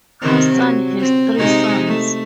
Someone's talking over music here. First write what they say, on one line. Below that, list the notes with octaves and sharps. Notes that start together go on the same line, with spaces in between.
Hassan has three sons.
C3 D#3 C4
F#3
C4
C3 G#3 D#4
A3